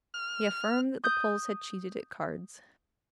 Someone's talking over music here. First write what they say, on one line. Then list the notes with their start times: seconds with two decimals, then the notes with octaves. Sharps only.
He affirmed that the Poles had cheated at cards.
0.14 F6
1.04 D#6 G6